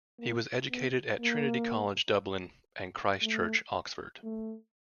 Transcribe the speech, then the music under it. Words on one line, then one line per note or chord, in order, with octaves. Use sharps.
He was educated at Trinity College, Dublin and Christ Church, Oxford.
A#3
B3
A#3
A3
A3